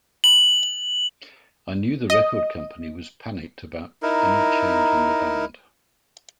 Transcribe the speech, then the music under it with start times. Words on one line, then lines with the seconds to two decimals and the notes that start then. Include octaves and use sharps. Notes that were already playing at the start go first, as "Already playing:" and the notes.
I knew the record company was panicked about any change in the band.
0.24 F#7
2.10 D#5
4.03 D#4 E4 A#4